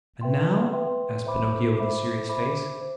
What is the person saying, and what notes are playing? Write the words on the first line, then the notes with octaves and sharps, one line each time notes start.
"And now?" asked Pinocchio with a serious face.
B4 E5 G5 C6
B4 E5 G5 C6
C5 E5 B5 D6
C5 E5 B5 D6
C5 E5 B5 D6
C5